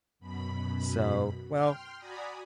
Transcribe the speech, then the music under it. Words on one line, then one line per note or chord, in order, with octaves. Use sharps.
so, well,
F#2 B2 B5
G5 C6 F6
F#4 D5 G#5 A#5 B5 D#6